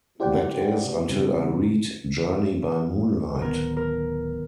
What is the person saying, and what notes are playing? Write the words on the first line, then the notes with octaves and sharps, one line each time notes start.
That is, until I read "Journey by Moonlight".
E4 G4 C5 D5 F#5 G5
C#3 G3 C4
D1 D#3 B3 A#4
A#4